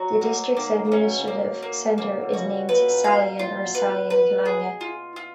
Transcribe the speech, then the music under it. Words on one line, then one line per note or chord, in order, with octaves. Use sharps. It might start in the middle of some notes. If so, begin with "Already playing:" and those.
The district's administrative center is named Salyan or "Salyan Khalanga".
Already playing: F#3 F#4
B2 A#3
D#3 A#3
C#3
C#4
B2
C#3
B2 A#3
A#3
C#3 A#3
B2
C#3 F#4
B2
A#2 B4
B2
A#2
B2 F5
A#2 F4
B2
B4
B2
B4
G#4
F4
F4